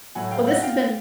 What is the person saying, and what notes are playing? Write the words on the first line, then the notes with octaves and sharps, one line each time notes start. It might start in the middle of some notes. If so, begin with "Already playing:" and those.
Well, this has been
A2 F#3 A3 F#5 G#5
F5 G5
E5 F#5
F5 G5